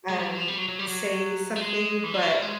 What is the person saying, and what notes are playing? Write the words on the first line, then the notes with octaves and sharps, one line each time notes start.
um, say something, but
G#3
G3
F#3
F3
G3
F#3
F#3
G3
F#3
A3
G#3
E3
F3
F#3
G3
G#3